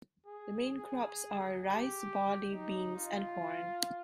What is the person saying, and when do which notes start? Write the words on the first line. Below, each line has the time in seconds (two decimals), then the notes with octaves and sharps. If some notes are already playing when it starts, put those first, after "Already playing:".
The main crops are rice, barley, beans and corn.
0.26 G#4
0.71 G#4
1.62 G4
2.51 D#4
2.96 F4